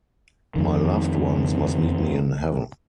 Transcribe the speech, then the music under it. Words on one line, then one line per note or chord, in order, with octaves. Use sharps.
My loved ones must meet me in heaven.
F2 D#3